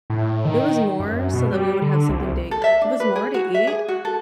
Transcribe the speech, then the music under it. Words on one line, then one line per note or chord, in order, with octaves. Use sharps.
It was more so that we would have something day it was more to eat,
A2
D#3
F#2
B2
G3
D3
C2
A4
E5
D4
B4
G#4
F#4
E5
G#4
F#4
A4